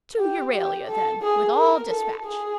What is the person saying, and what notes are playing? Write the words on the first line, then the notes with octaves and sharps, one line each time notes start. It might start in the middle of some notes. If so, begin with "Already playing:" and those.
To Euralia then with all dispatch.
G4
G4
A4
G#4
A#4
A4
G#4